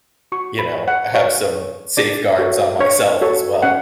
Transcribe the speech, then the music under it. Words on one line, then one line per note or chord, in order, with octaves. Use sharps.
you know, have some safeguards on myself as well.
F#4 C#6
B5
C#5
F#5
F#4 C#5
C#5
D4 D5
F#4 A4 C#5
D4 C#5
F#4 A4 C#5
C#4 F#5